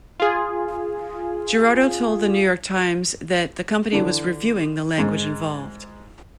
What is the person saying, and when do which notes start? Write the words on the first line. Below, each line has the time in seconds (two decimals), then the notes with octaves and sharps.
Girardo told the "New York Times" that the company was "reviewing" the language involved.
0.20 F4 G#4
3.92 D3 E3 D4
4.98 G#2 G#3